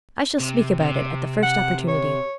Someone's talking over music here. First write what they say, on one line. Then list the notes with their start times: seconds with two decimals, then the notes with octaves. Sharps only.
I shall speak about it at the first opportunity.
0.40 C3
0.80 C3
1.43 F#5
1.88 C#5